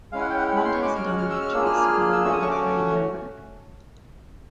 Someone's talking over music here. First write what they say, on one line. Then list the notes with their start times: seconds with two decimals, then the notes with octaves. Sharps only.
Wanda is a dominatrix who runs a gallery in Hamburg.
0.12 G#3 C#4 E4 F5
0.21 F#5
0.30 G5
0.38 F#5
0.48 G5
0.56 B5
0.65 C6
0.74 C#6
0.82 G#3 C#4 F#4 D6
0.95 F6
1.07 F#6
1.18 F6
1.30 E6
1.41 F6
1.53 A#3 D4 F4 G#4 E6
1.66 F6
1.77 F6
1.89 F6
2.01 F6
2.12 E6
2.24 A3 C#4 F#4 E6
2.32 D#6
2.42 C#6
2.51 D6